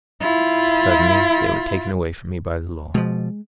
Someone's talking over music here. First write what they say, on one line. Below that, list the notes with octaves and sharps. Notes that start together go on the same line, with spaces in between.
Suddenly they were taken away from me by the law.
E4 F4
B2 F3 G#3